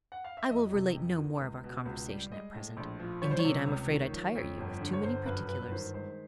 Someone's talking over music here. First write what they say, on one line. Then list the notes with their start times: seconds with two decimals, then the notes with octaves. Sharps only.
"I will relate no more of our conversation at present; indeed I am afraid I tire you with too many particulars."
0.12 F#5
0.24 F5
0.37 E5
0.50 F2 D#5
0.73 C3
0.95 F2
1.18 D#3
1.41 C#2
1.64 B2
1.86 C#2
2.08 G3
2.32 G#3 D#5
2.54 A2
2.77 A#1
2.99 F3
3.22 G3 C#5
3.31 C5
3.39 C#5
3.44 C3
3.67 C#2
3.90 D#3
4.13 F3
4.35 F2
4.58 G1
4.81 D3
4.93 C#5
5.03 G1 C5
5.26 F#2 B4
5.48 G1 B4
5.72 D#3 C5
5.94 G#3 C5